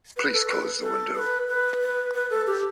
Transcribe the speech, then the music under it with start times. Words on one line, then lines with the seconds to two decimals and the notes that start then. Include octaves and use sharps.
Please close the window.
0.17 B4
0.33 A4
0.50 B4
0.82 A4
1.15 B4
1.48 B4
1.81 B4
2.14 B4
2.30 A4
2.47 G4